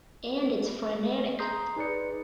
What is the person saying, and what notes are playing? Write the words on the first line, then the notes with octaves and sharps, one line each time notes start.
And it’s frenetic.
G#4 A#5 C6 D#6 G6 C7
D#4 G#4 B4 D5 C#7